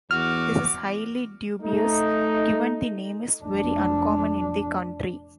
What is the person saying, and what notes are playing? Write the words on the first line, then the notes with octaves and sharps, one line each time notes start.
This is highly dubious, given the name is very uncommon in the country.
E2 F#4 D6 F6
A3 D#4
F1 D4